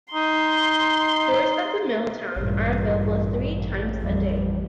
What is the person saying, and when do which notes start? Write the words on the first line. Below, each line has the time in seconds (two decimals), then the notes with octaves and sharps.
Tours of the mill town are available three times a day.
0.14 D#4 C6
2.36 A1 G2 A#2
3.99 F2 G3